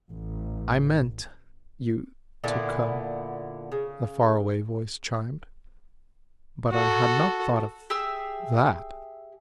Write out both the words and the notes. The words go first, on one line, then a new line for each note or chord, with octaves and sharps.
"I meant--you--to come," the faraway voice chimed, "but I had not thought of--that."
A1
A#2 D3 B3 E4
C#3
F#4 A4
G4 G#4 E5 E6